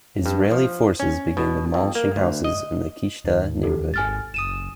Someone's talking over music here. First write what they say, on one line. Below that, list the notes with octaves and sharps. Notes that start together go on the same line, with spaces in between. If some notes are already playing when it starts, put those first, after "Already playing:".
Israeli forces began demolishing houses in the Qishta neighborhood.
G2
F3
C#4
B2
F2
A#3
D2
D#5
D#2
G4 A4
G#1 G#5 F6 A6
F#1 D#6 D#7 E7